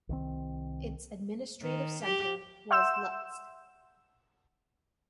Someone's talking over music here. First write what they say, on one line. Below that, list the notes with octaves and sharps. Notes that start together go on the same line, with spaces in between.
Its administrative centre was Lutsk.
C2 D#3 C4
D#3
G4
E5 F#5 C6 E6 G6 E7